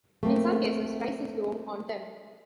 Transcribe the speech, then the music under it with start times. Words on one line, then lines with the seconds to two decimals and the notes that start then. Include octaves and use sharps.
In some cases, rice is grown on them.
0.23 A3 A#3 C4